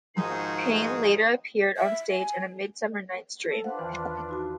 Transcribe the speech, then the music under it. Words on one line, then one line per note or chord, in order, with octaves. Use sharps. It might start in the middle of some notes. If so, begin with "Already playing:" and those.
Payne later appeared on stage in "A Midsummer Night's Dream".
G#2 D#3 F3 D#4 F#4 G#4
E5
G#5
A4
D4 F4 B4 C5 F5 F#5
E2 D#3 E3
D#4 F#4 A5